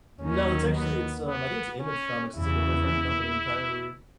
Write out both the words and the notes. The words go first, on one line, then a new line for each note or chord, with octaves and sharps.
No, it's actually, it's, um I think it's Image Comics. It's like a different company entirely.
D#2 D#3 F#3 C#4
B3
B3
C#4
E2 C#3 E3 E4